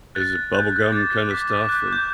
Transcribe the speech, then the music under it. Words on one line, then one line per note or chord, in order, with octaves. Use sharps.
Is it bubblegum kind of stuff? And
F#6 A6
F#6
F#6 G6
F#6
D6 A6
F#6
D6 B6
D6
F#6 G6
D6 G6